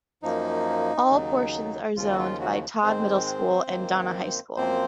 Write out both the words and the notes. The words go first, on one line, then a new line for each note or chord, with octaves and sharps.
All portions are zoned by Todd Middle School and Donna High School.
F#2 F3 A#3 D#4
D#2 C#3 F#3
D#2 C#3 F3 F4
F#4
F4
F#3 F#4
G#2 D#3 G#3 C4 C5
F#2 D#3 A#3
F#2 F3 A#3 C4 C5